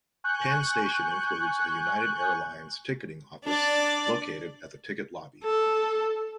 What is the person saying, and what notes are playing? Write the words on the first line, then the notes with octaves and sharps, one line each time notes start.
Penn Station includes a United Airlines ticketing office, located at the ticket lobby.
G#5 C#6 F#6 G6
D4 D5
A4